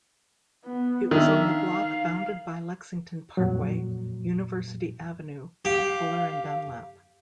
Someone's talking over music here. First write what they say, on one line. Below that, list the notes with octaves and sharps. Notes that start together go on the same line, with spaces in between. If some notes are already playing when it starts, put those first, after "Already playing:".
It was on the block bounded by Lexington Parkway, University Avenue, Fuller and Dunlap.
B3
D#3 D4 E5
F5
F2 A#2 F#3
G4 F5